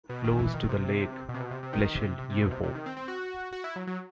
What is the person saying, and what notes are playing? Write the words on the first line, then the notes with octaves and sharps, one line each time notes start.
Flows to the Lake Plescheyevo.
B2
D#3
E3
D#3
C3
B2
C3
B2
C3
C3
D#3
C3
C3
C3
B2
C3
C3
D#3
C4
C4
F#4
F#4
E4
F#3
F#3